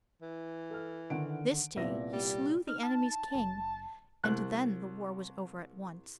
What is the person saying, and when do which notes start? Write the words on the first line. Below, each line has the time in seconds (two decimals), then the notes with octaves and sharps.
This day he slew the enemy's king, and then the war was over at once.
0.22 E3
0.71 A4 F6
1.10 D3 D#3 F#5 D7
1.76 C2 A#2 B3 E5 A#6
2.13 G3
2.67 D#4 F6
2.83 A5
3.35 F#1
4.23 C2 F#6